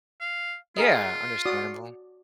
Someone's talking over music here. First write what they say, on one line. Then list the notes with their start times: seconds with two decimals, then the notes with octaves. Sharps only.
Yeah, understandable.
0.21 F5
0.77 F4 G#4 A#4 D#5
1.46 F#4 D5 D#6